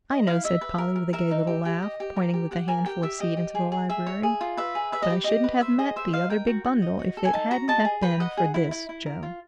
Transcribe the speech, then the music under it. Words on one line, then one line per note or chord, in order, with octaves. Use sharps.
"I know," said Polly with a gay little laugh, pointing with the handful of seed into the library, "but I shouldn't have met the other big bundle if it hadn't have been for this, Joe!"
D#5
E4 F5
D#5 E5
B4
A#4
A#4
A#4 E5
D#4
G4
G4
D#5
G4
A#4
G4
G4 F#5
A#4 G#5
G4 G5
G4 E5
G4 D#5
G4
G#4
G#4
G#4 E5
C#5
G#4
F4
B4 E5
G#4
B4 E5
D#5
G4
G4 D#5
B4
C5 E5
G#4 D#5
C5 E5
D#5 F5
A#4 G5
F#4
F#4
D#5
F#4
A4
G#5
D#4 A5
F#4 A#5
D#5 A5
G#4
B4 G5
D#5 F#5
G#4
E4
E4
E4
A#4
F4